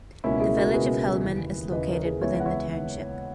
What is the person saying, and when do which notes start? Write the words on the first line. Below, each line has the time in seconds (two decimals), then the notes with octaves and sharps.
The village of Hillman is located within the township.
0.24 C#2 B2 A#3 C#4 E4
0.40 E4 G#4
0.57 F#4 A#4
0.73 C#2 B2 A#3 G#4 B4
1.22 D#2 C#3 E3
1.72 D#2 C#3 E3 B4 D#5
1.88 A#4 C#5
2.05 G#4 B4
2.21 C#2 C#3 E3 B3 C#5 E5
2.40 F#5
2.45 C#5 E5